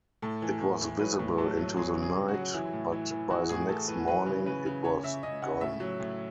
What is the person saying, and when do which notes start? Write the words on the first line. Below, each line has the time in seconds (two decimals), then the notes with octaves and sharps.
It was visible into the night, but by the next morning it was gone.
0.22 A2 A4
0.42 E3
0.61 A2
0.81 E3
0.99 F#3 B4
1.19 A2
1.38 F#3 A4
1.57 F#3
1.77 F#3 G#4
1.96 C#3
2.02 G#4
2.16 C#3
2.28 F#4
2.34 F#3
2.54 E3 E4
2.73 A2
2.92 E3 E4
3.11 E3
3.30 E3 F#4
3.49 A2 G#4
3.69 A2 A4
3.88 E3 B4
4.08 F#3 B4
4.26 C#3
4.46 C#3 B4
4.66 C#3
4.84 C#3 C#5
5.03 C#3 E5
5.23 C#3 D#5
5.42 C#3 F#5
5.61 A2 E5
5.80 F#3
6.00 A2